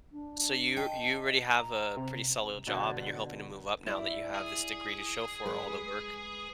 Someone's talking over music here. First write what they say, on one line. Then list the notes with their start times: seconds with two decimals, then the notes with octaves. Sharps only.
So you're you already have a pretty solid job, and you're hoping to move up now that you have this degree to show for all the work
0.11 D4
0.77 D#5 G5 A5
1.53 A#5
1.97 C3
2.67 B2 D3 A4
3.86 E4 D5
4.35 G#4
5.46 G#3 B4